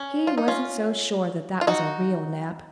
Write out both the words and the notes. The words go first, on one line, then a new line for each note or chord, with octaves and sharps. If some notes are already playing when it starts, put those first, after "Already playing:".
He wasn't so sure that that was a real nap.
Already playing: C#4
F4
D#4
C#4 F4
F4
D#4 F#4